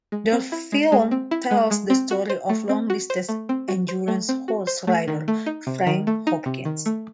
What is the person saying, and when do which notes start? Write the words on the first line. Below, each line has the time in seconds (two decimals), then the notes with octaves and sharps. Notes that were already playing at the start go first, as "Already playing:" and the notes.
The film tells the story of long-distance endurance horse rider, Frank Hopkins.
0.12 G#3
0.33 C4
0.52 E4
0.72 G#3
0.92 G#3
1.11 C4
1.31 E4
1.51 G#3
1.71 G#3
1.90 C4
2.11 F#4
2.30 C5
2.50 A3
2.69 C4
2.90 F#4
3.10 C5
3.29 A3
3.49 C4
3.68 F#4
3.89 C5
4.08 A3
4.29 C4
4.48 F#4
4.67 C5
4.87 A3
5.08 D#3
5.28 A3
5.46 D#4
5.67 C3
5.87 D#3
6.07 A3
6.27 D#4
6.46 C3
6.65 D#3
6.86 A3